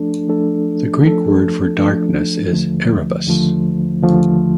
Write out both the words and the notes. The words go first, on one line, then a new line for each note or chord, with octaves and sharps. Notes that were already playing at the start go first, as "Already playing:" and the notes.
The Greek word for "darkness" is "erebus".
Already playing: F3 A3 D4 A4
F3 A3 D4 A4
F3 A3 D4 A4
F3 A3 D4 A4
D#2 D3 F3 A3
D#2 D3 F3 A3
D#2 D3 F3 A3